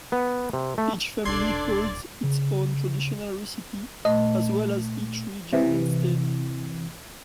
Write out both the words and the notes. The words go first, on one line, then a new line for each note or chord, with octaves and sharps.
Each family holds its own traditional recipe as well as each region and state.
B3
C3
A3
D#1 B1 D4 A4 D5 C6 G#6 C7
C#3
A#2 A3 D#5
C3 E3